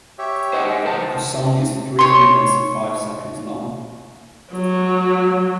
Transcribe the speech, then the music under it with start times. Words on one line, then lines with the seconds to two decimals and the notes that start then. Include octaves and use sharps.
The song is three minutes and five seconds long.
0.19 G4 C#5 E5
0.53 C5 D#5 F#5
0.69 G5
0.85 B4 C5 A5
1.99 C#5 C6
4.53 F#3